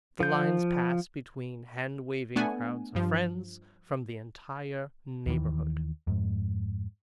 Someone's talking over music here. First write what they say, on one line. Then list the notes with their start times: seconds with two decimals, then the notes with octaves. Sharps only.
The lines pass between hand-waving crowds of friends from the entire neighborhood.
0.20 F3 G6
2.36 A3 B3 D4 F#5 G#5
2.95 G2 F3
5.26 D#2 D#3 E3
6.07 F2 G#2